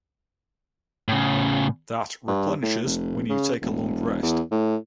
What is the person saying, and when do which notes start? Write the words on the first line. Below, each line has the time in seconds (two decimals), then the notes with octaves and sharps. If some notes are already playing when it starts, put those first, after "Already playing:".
That replenishes when you take a long rest.
1.08 A2 C#3
2.28 G2
2.63 A2
2.85 F1
3.29 C#3
3.62 E1
4.23 E2
4.51 A2